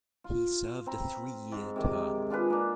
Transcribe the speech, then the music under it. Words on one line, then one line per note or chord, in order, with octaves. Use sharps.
He served a three-year term.
F4
C4 A#5 B5
G#2
C3 D#3 D6
D4 F4 G#4 B4
A#3 D4